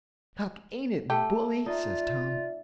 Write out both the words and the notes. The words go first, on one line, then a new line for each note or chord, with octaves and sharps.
"Huck, ain't it bully!" says Tom.
A3 G4
D#4 F4 D5 E5